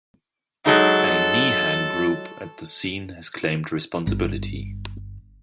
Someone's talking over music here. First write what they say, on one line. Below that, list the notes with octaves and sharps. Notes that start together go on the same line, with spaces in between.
A Nihang group at the scene has claimed responsibility.
F#3 G#3 D#4 A4
G1